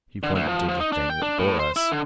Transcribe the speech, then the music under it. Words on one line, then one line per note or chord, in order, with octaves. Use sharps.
He pointed to the Thing that bore us.
D3
D2
F3
F3
D#4
D4
G5
D4
A2
C5
E4
D3